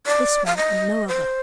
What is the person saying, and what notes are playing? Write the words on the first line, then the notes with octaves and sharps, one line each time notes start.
This one and no other.'
D5
F5
D#5
C5